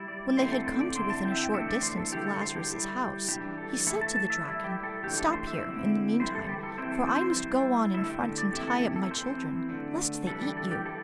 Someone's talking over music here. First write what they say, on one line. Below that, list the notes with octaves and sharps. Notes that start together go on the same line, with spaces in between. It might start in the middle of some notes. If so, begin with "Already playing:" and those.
When they had come to within a short; distance of Lazarus's house, he said to the Draken: 'Stop here, in the meantime, for I must go on in front and tie up my children, lest they eat you.'
Already playing: G3 E4
D5
D3 A3 C4 E4 C5
A4
C5
D5
D3 C4 E4 C6
A5
G5
E5
G5
E3 A3 D4 E5
D5
C5
A4
D3 G3 E4 G4
A4
C5
G4
G3 E4
G4
E3 G3 D4 G4
A4
E3 A3 E4 A4
A5
A5
E5
G3 E4 E5
G4
A4
E3 A3 D4 G4
A4
C5
E5
D3 C4 E4
E3 G3 E4 C5
A4
G4
A4
E3 C4 E4 C5
A4
C5
C5
G3 E4
D3 A3 E4 E5
G5
D5
E3 A3 C4 E4 G4
A4
G4
A4
E3 C4 E4 C5
D3 A3 D4
E3 G3 D4 A4
G4
A4
G4
E4 A4